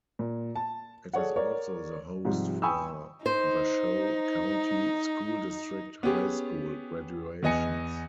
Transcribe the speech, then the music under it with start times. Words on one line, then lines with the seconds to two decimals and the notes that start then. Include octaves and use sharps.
It is also the host for Washoe County School District high school graduations.
0.19 A#2
0.56 A5
1.13 G#4 A4 C#5 D5 F#5
1.36 A#4 C#5 D5
2.25 G#2 C3 F3 G3
2.62 G5 G#5 B5 C#6 D#6 E6
3.26 D#4 C5
6.03 B3 C#4 G4 G#4
7.43 E2 B3 D#5 G#5 C#7